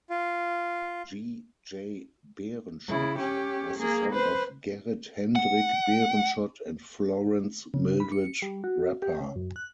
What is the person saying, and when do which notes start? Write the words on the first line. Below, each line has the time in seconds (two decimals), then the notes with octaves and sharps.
G. J. Berenschot was the son of Gerrit Hendrik Berenschot and Florence Mildred Rappa.
0.10 F4
2.89 C#3 E4
3.19 C#4 G4
3.79 A#3 G#4
4.13 B4 C5
5.36 F#5
7.74 C#3
8.00 B5
8.12 C#7
8.42 G3
8.64 F#4
9.02 G4
9.20 C#3
9.36 F#2
9.56 F#6